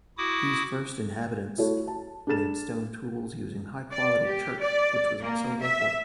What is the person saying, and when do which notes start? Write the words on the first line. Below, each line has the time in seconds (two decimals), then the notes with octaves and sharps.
These first inhabitants made stone tools using high quality chert which was also local.
0.18 E4 F#4 D6 D#6
1.58 A3 E4 F#4 A4 C#5
1.88 A5
2.27 D4 G#4 A4 A6 E7
3.91 D5
4.25 G4
4.60 D5
5.21 A#3
5.62 E5